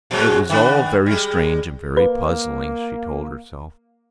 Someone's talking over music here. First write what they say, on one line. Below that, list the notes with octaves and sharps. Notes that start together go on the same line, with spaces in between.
It was all very strange and very puzzling, she told herself.
A#2 F#3 G#3
D#3 B3 D4
G3 G#3
A#3 B4